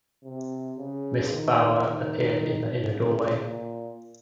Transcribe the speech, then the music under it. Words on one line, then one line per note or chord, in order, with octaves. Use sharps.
Mrs. Bower appeared in the inner doorway.
C3
C#3
D#3
D#3
C#3
A#2